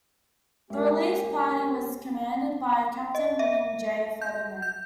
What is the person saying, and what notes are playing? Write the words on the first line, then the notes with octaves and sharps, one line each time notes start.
The relief party was commanded by Captain William J. Fetterman.
G#3 A#3 C#4 G4 A#4
D#5
E5
G6
G6